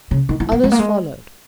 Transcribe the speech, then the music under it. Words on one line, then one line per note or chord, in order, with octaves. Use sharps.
Others followed.
C#3
D#3
E3
B3
G#3
A#3
G#3